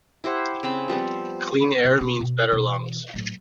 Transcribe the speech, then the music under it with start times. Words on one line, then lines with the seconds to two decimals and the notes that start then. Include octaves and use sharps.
Clean air, means better lungs.
0.24 E4 G4 C5 F#5
0.63 C#3 C4 B5
0.88 F3 G3 B3 C4
1.85 C3
2.01 B2 C4
2.21 B2
2.52 B2 E3
3.14 A2 F#3